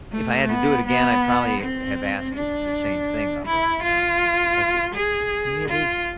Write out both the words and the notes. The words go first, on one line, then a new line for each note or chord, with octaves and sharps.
if I had to do it again, I'd probably have asked the same thing of her, uh, just because it t to me, it is
A3
B3
B3
C4
D4
E4
F4
G#4
F4